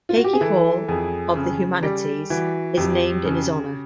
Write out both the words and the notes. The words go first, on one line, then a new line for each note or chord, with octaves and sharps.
Hagey Hall of the Humanities, is named in his honour.
F4
F#4
G4
G#4
E3 A4
F2 G#4
C#3
G3
E3 F#4
F2 G4
C#3